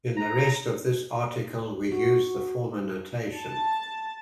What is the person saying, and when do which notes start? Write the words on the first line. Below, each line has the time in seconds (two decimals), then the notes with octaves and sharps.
In the rest of this article we use the former notation.
0.16 A#5
1.92 F#4
3.38 A5